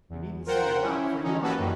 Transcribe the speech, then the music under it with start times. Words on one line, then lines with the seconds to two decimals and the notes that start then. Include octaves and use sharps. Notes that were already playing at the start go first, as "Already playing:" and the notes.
You needn't say you're not, for you are!
0.09 E2
0.46 F4 A#4 C5 F#5 G5
0.81 C#4 E4
1.22 D3 E3 C#4 D#4
1.41 A#3 C#4 F#4 G4 A4 B4
1.58 F#2 D#3 E3 F#3 G3